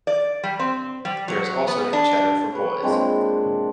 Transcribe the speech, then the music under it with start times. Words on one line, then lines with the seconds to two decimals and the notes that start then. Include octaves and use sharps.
There is also a cheder for boys.
0.07 D5
0.43 G3
0.59 C4
1.05 G3
1.28 F#3
1.67 B3
1.93 D4
2.52 B4 C#5
2.83 A#2 G#3 C4 D4